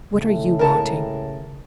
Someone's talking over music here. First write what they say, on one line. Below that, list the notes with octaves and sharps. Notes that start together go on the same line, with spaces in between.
"What are you wanting?"
A2 C#3 G#3 A3
A#4 A5